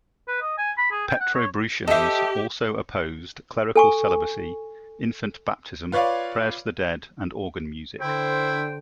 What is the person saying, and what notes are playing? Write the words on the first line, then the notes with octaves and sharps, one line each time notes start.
Petrobrusians also opposed clerical celibacy, infant baptism, prayers for the dead, and organ music.
B4
D#5
G#5
B5
G#4
G5
F#5
C#5
G4 A4 C5 D#5 E5
A4 G#5 C#6
F4 B4 C#5 D5 F5
D3 E4 C5 G5